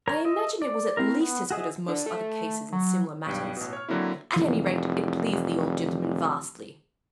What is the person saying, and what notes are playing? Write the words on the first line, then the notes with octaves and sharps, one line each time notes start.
I imagine it was at least as good as most other cases in similar matters: at any rate, it pleased the old gentleman vastly.
A#4 C#5 A#5
D#5 E5
D5
C4 E4 A#4
B3
F#4 G#4 D#5 E5
D3
A3
F#3
B1 G2 G5
A1 B2
C#5 F6
D3 F#3 A#3 C4 E4
F1 E3